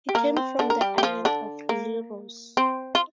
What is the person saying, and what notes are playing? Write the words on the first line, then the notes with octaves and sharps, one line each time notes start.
He came from the island of Leros.
G4
A#3 A#4
C4
D3 D4
A#4
G3 G4
G4
F3 F4
D3 D4
A#3
C4
F4